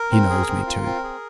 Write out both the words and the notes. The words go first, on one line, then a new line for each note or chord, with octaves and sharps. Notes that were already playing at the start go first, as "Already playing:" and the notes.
He knows me too.'
Already playing: A#4
C4
G#4
C4
F4
C4
G#4